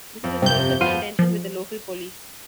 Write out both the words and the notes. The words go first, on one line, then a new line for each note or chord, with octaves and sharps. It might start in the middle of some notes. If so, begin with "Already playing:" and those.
This is a source of contention with the local police.
F2
G1 C3 G6
F3 B3 F5 D#7
F3